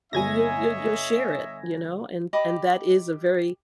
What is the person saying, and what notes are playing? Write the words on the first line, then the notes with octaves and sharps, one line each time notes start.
And you'll you'll you'll share it, you know? And and that is a very
G1 C#5 D#5 E5 G#5 G#6 A#6
G4 D#5 B5 D6